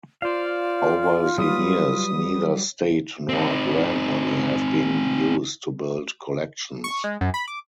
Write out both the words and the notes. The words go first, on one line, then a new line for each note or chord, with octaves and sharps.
Over the years, neither state nor grant money have been used to build collections.
F4 C5 D5 F5
F#3 G3 B4 D#6
C4 D#4
C#6
G#3
F#2
B5
D6